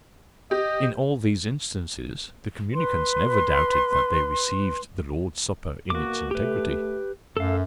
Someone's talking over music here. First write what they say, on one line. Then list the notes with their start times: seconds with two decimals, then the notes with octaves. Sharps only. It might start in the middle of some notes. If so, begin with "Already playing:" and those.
In all these instances the communicants never doubted that they received the Lord's Supper in its integrity.
0.51 G4 D#5
2.74 B4 C6
5.90 B2 A#3 F#4 D6
6.31 A3 G4 B4
7.37 F#2 A3 A4 F5